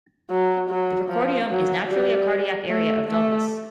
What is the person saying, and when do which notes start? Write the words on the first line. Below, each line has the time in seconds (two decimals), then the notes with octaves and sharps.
The precordium is naturally a cardiac area of dullness.
0.30 F#3
0.70 F#3
1.09 F3
1.49 F#3
1.89 G3
2.69 A3
3.08 A3